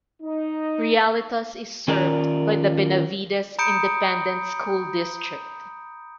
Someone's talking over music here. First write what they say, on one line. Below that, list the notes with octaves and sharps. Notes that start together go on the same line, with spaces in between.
Realitos is served by the Benavides Independent School District.
D#4
D#3 C#4 F4 A#4 D5 A#5
A#5 B5 D#6 G6 C#7 D7